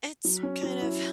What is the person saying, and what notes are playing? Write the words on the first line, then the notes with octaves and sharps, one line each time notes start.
It's kind of
F#3
C#4
F#3
E4